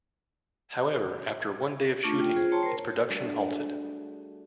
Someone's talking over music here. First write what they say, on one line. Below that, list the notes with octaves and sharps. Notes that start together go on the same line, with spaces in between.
However, after one day of shooting its production halted.
A3 D4 F4 C#6
F4 G5
F4 G#4 C5
C#5 G5 A5 A#5 C6
A#4 C5
G3 A3 D4 F#4 G#4